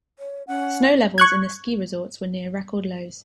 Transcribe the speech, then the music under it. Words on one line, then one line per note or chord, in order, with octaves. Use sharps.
Snow levels in the ski resorts were near record lows.
C#5
C#4 F#5
C#6 F#6 G#6